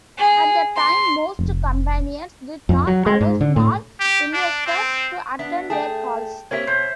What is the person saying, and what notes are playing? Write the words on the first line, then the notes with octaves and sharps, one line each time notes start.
At the time, most companies did not allow small investors to attend their calls.
G#4
C6
F1
F2
F#3
G#3
G#2
D3
A2
G4
D4
C4
B3 D4 E5
A3 G#4 G5 A5
A#3 C4 G4 C#5 E5
B2 C5